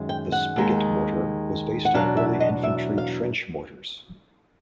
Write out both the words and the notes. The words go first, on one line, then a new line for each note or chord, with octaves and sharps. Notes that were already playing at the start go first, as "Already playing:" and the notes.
The spigot mortar was based on early infantry trench mortars.
Already playing: F#2 D#3 G#3
G5
F#5
D#2 D#3 G#3
F#5
E2 B2 F#3 D4 F5
E5
D#5
E5
F5